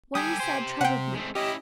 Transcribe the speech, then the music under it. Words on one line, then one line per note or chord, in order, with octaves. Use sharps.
What he said troubled me.
G3 G4 A4 G5 G#5 D#6
G4 C5
C3 F#5 G5
G#3 A3 C4
C#4 E4 G4 D#5